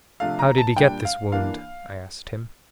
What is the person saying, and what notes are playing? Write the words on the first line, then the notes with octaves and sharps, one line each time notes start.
"How did he get this wound?" I asked him.
C3 F3 A3 D4 F5
A#5
A5
A#2 G3 D4 G5
F5
E3 A#3 D4 F5